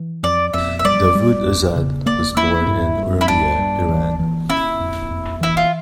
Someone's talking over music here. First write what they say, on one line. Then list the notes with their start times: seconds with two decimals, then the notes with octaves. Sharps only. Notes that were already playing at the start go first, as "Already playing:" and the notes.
Davood Azad was born in Urmia, Iran.
Already playing: E3
0.23 F2 D5
0.53 F2 E5
0.79 E5
0.84 G3 D5
1.15 G3
1.45 E2
1.76 C#3
2.06 A#3 D5
2.37 A#3 E4
2.67 G2
2.97 G2
3.21 E4
3.28 G2 D4
3.58 G2
3.89 E3
4.19 E3
4.50 C#4 E4
4.80 F2
5.11 F2
5.41 E3 E4
5.57 F4